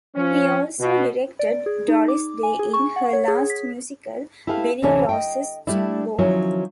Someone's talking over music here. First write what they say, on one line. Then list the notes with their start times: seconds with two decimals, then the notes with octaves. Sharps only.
He also directed Doris Day in her last musical, "Billy Rose's Jumbo".
0.15 F3 C#4
0.80 B2
1.39 D5
1.66 G#4
1.88 D#4
2.08 D6
2.43 G#5
2.59 G#4
2.73 C#6
2.96 F#5
3.13 C#5
3.28 G#4
3.50 B6
4.47 E4 G4 A4 B4 F5
4.82 D2 C3 E3 C#4 E4 A4
5.09 D#5 F5 G5
5.67 G3 A3 D4 E4
6.18 D#3 F3 F#3 C#4 E4 C#5